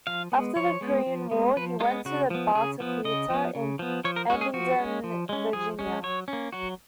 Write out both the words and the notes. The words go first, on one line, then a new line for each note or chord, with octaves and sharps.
After the Korean War, he went to the Barter Theatre in Abingdon, Virginia.
F3 F5
G#3 B3
F3 C#5
G#3 B3
F3
G#3 B3
F3 B4
G#3 B3 F4
C#3 F#4
F3 B3
C#3 G#4
F3 B3
C#3 D#5
F3 B3
C#3
F3 B3
F3 C#5
A#4
G#3 C#4 F#4
G#4
F3 F#4
G#3 C#4
F3
G#3 C#4
F3 G#4
G#3 C#4
F#3 C#5
C#4
A#3
F#3 F#4